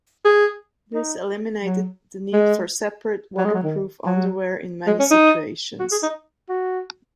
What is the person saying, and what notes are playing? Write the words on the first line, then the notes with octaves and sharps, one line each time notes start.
This eliminated the need for separate waterproof underwear in many situations.
G#4
D#4
F#3
G#3
F#3
G#3
F#3
D#3
F#3
G#3
C#4
D#4
F#4
G#4
D#4
F#4